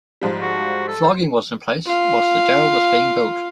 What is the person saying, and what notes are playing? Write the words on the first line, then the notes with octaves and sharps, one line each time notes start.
Flogging was in place whilst the gaol was being built.
G#2 F3 G3
F#4
A4
C5
F4 F5